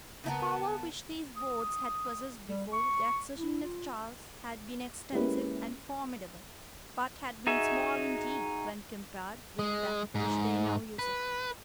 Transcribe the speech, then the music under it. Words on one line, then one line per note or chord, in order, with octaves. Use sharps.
The power which these boards had possessed before the accession of Charles had been extensive and formidable, but had been small indeed when compared with that which they now usurped.
C#3 B3 A#4 A5
D#6
G3
C#6
E4
F4
G#3 A#3 C#4 E4 G4 B4
D#4 F#4 G#4 E5
G#3
G#2
B4